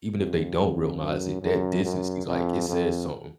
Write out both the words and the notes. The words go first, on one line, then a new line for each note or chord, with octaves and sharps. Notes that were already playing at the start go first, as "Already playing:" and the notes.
even if they don't realize it, that distance is like, it says something.
F2
F2
F#2
F#2
F#2
F2
F2